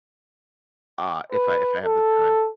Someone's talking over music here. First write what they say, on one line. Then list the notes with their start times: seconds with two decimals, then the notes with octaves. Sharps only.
uh, if I if I have the time.
1.32 B4
1.84 A4